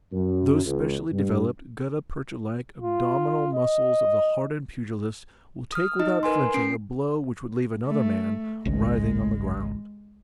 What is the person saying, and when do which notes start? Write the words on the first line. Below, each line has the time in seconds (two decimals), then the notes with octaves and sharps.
Those specially developed, gutta-percha-like abdominal muscles of the hardened pugilist will take without flinching a blow which would leave another man writhing on the ground.
0.13 F#2
0.65 C#2
1.11 G2
2.81 F4
3.55 D#5
5.72 D#6 F6
5.99 D#4 D#5
6.23 A#4 B4 G#5 C6
6.54 C#4 C7 D7
7.87 A3
8.65 G#1 C#2 G#3